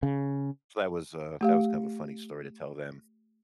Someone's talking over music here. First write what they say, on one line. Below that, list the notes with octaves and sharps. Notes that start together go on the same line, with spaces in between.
So that was, uh, that was kind of a funny story to tell them.
C#3
A3 G4 F5